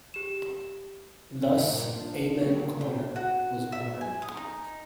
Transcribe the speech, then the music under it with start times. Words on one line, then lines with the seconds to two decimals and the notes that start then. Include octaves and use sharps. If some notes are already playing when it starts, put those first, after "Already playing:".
Thus "Amen Corner" was born.
0.14 G4 E7
1.46 G2 C3
1.62 G2 A#2
1.93 F3 D4 F4
2.39 B2 F#3 A3 A#3 G4
2.78 F2 G#2 E3 D4 F#4 G5
3.16 F#4
3.72 E5
4.01 G#5
4.22 D#6
4.37 D#4